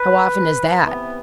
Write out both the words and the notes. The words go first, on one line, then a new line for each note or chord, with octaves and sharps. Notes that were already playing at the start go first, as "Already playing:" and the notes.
"How often is that?"
Already playing: B4
C3 E3 B3 E4